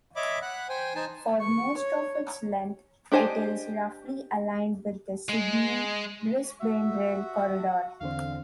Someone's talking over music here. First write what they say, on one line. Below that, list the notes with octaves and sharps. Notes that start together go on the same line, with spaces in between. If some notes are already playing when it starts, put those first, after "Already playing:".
For most of its length it is roughly aligned with the Sydney-Brisbane rail corridor.
C#5 D#5 E5 B5 D6
F#5 B5 F#6
C5 G5 G#5
D#4 C5 G#5 A5
C#6
C#5
D4 G4 C5 D#5 G#5
G#3
F#4 E5
E2 D3 C4 F5